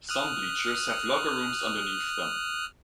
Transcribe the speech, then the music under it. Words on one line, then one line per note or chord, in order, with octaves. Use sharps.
Some bleachers have locker rooms underneath them.
D#6 F6 F#6